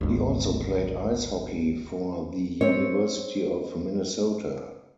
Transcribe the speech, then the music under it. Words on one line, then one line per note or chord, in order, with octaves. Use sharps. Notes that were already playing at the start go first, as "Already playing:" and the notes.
He also played ice hockey for the University of Minnesota.
G#1 D2
C4 C#5